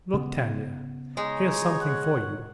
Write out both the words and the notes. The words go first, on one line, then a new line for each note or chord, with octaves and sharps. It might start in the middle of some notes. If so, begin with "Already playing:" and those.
Look, Tanya, here's something for you!
C#3 B3
G#3 D#4 C#5
F#5